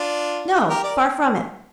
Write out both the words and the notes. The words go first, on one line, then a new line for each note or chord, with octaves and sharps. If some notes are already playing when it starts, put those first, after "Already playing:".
No; far from it.
Already playing: D4 F4
G4 A#4
A#4 D5